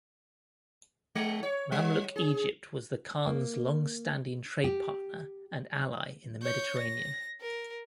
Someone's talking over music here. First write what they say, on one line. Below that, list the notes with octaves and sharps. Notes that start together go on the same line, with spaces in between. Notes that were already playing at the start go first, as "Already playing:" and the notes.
Mamluk Egypt was the Khans' long-standing trade partner and ally in the Mediterranean.
G#3
C#5
G3
G#4
A#3
G4
C#5 G6
A#6
A#4